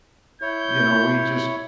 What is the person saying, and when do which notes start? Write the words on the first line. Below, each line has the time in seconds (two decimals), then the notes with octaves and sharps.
you know, we just
0.42 E4 C#5 G6